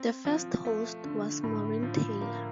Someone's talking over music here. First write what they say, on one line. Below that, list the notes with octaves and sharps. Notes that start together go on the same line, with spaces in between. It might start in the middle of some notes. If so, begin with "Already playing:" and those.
The first host was Maureen Taylor.
Already playing: C4
F3
A3
D3
A2
F3
A#3